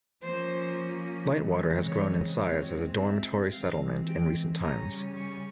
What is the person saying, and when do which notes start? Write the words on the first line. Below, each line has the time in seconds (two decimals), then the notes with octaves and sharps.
Lightwater has grown in size as a dormitory settlement in recent times.
0.22 F3 A#3 C#4 C5
1.32 C#3 E3 G#3 C4
1.87 C#5
2.42 A#2 G#3 C4 C#5
2.97 E5
3.51 E3 G#3 C4 F5
4.07 G5
4.61 C#3 G3 C#4 A#5
5.17 C#6